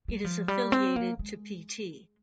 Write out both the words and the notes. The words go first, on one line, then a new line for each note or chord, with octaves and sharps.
It is affiliated to Pt.
G3
F3
G3
C4
A#3
G#3